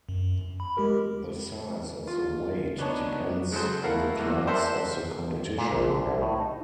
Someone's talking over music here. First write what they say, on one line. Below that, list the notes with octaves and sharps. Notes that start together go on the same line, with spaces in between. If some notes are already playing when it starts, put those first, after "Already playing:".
The size of the weight depends on the class of the competition.
F#2
B5
G#3 G4 A#4
F4
B3 D4 D#4 C#5 A5
C#3 F#3 G#3 A4 C5
A3 E4 A#4 F5 F#5
E2 D3 F#3 A#3
A#4 C5 D5 E5 F#5 A5
A#2
A#1
D3
C2
A2
D#4